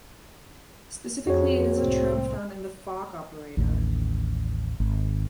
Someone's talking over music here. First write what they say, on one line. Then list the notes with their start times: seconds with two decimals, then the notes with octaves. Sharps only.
Specifically, it is a term found in the Fock operator.
1.27 F2 F#4 G#4 C#5
1.76 C2 A2 C4
3.57 A1 D#2
4.80 G#1